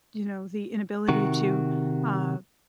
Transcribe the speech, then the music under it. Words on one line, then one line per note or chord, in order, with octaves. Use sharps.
you know, the inability to, uh,
C3 D#3 F#4